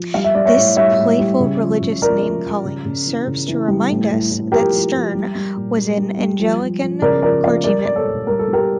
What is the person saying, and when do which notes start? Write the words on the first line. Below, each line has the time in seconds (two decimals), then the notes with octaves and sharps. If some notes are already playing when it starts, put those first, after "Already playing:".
This playful religious name-calling serves to remind us that Sterne was an Anglican clergyman.
Already playing: F3
0.14 G3 F5
0.24 E5
0.35 G3 D5
0.45 C#5 E5
0.56 A2
0.77 G3 C#5 E5
0.98 A2
1.19 G3
1.40 C#3
1.60 F3
1.81 C#3
2.02 F3 A#4 D5
2.23 F3
2.43 F3
2.65 C#3
2.85 C#3
3.06 E3
3.27 C#3
3.48 E3
3.68 G3
3.90 A2
4.10 A2
4.31 A2
4.52 F3 G4 A#4
4.73 F3
4.94 F3
5.15 G3
5.35 G3
5.56 A#2
5.77 G3
5.98 G3
6.19 G3
6.40 F3
6.60 F3
6.82 F3
7.02 C#3 A#4 D5
7.22 F3 A#4 D5
7.43 F3 D5 F5
7.64 G3 A#4 D5
7.85 G3 D5
7.96 A4 C#5
8.06 A#2
8.27 G3 A#4
8.39 A4
8.48 G3
8.53 G4 A#4